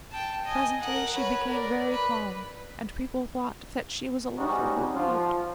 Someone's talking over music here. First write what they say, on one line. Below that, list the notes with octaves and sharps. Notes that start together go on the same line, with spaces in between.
Presently she became very calm, and people thought that she was a little relieved.
G5 A5
D#5 G#5
A#4 F#5
B4 C#5
A#4 D5
B4
G#2 C3 G3 C#4 D#4 F#4
F3 F4